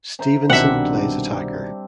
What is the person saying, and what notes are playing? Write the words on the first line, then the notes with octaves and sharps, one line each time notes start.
Stevenson plays Attacker.
C5 E5 A#5
C2 B2 D#3 G3 C4 D4 E5 F#5